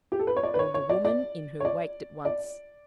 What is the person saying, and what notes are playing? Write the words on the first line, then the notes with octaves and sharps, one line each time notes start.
All the woman in her waked at once.
G4
A4
B4
C#5
D5
B4
C#5
C#5
D5
D5
C#5
D5
D5